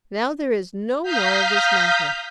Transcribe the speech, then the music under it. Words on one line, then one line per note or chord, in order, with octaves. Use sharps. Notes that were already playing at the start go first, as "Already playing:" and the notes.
Now there is no more of this matter.
F5 A#5 D#6 F6 G6 B6